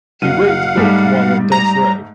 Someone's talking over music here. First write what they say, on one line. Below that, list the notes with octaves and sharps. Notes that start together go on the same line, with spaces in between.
He wrote the book while on death row.
F#1 F#3 F5 F#5 D#7
G#2 G3 A3
A#5